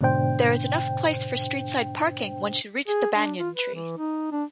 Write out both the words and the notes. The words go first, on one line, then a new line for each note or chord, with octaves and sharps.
There is enough place for street-side parking once you reach the Banyan tree.
G#2 B2 D3 D4 C5 G5
G#4
D4
F4
B4
E3
D#4
D4